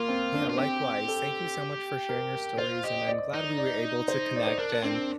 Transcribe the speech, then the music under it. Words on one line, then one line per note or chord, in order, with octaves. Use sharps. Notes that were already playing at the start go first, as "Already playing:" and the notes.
Yeah, likewise. Thank you so much for sharing your stories, and I'm glad we were able to connect and
Already playing: A#3 F4
C4
D4
F4
C4 G4
A4
A#4
F4 C5
G4 D#5
D#5
D5
D#4
D5
C5
D5
C5
D4 A#4
C4 D4